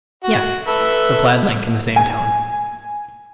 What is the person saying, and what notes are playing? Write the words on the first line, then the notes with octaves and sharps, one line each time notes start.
"Yes," replied Link in the same tone.
F#4
A4 B4 E5
G#5